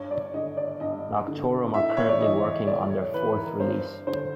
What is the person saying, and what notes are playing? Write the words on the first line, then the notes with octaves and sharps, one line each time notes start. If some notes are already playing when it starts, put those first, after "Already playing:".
Noctorum are currently working on their fourth release.
Already playing: G2 C#5
D5
D3 D#5
D5
G2 D#5
D3
A2 E5
C#5
D5
E3 D#5
A2 D5
C#5
E3 B4
A#4
G2 C5
D3 C5